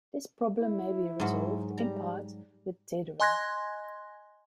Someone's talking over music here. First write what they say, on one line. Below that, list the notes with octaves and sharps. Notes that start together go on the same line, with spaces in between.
This problem may be resolved, in part, with dithering.
E4
G#2 F#3
G3 A#5
D#5 G#5 C6 F#6 G#6 A#6